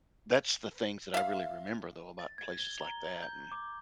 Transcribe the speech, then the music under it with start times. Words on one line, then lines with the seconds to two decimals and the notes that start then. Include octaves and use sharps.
That's the things that I really remember, though, about places like that and
1.14 E5 F5
2.19 A6
2.38 G#6
2.59 G7
2.81 A#5
3.22 G6
3.52 D6